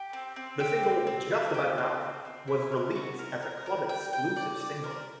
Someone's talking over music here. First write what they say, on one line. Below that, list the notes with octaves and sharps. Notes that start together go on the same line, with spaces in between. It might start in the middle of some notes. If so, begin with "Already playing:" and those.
The single "Just About Enough" was released as a club-exclusive single.
Already playing: G4
C4
C4
G4
C4
C4
E4
G4
C4
C4
C4
E4
A#4
F#4
A#4
A#4
A#4
G5
G5
D5
D5
A#4